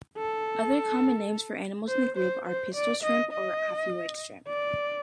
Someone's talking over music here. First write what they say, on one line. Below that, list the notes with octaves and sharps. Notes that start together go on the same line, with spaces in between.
Other common names for animals in the group are pistol shrimp or alpheid shrimp.
A4
C5
C5
C5
D5
D#5
D#5
D5